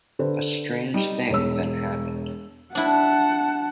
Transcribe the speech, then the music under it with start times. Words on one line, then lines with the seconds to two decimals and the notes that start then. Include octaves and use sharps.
A strange thing then happened.
0.19 D3 B4 C5
0.94 G3 D#4
1.30 E1 C#5 E6
2.75 D4 E4 F#5 A5